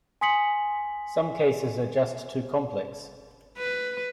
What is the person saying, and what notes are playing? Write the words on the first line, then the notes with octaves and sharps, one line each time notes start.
Some cases are just too complex.
G#5 C6 D#6 B6 C#7 F#7
B4